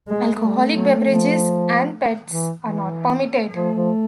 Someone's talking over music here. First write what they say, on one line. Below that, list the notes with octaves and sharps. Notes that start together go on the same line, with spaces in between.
Alcoholic beverages and pets are not permitted.
G#3
G3 A3
F#3
F3
E3
E3
F3 A3
F3